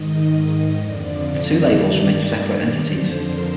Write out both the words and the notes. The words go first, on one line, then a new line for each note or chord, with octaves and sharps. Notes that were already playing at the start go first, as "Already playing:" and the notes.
The two labels remain separate entities.
Already playing: G#2 D#3 D#5
D#5
F2 D3 F3 D5
G2 D#3 D5
D5
F2 D3 F3 C5
A#4